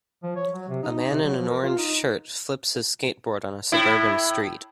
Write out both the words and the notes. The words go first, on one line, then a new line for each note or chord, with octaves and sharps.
A man in an orange shirt flips his skateboard on a suburban street.
F3
C#5
F#3
C3
D#4
D#4
C3
F#3
F3
A#4
F4
D#4
A2 E4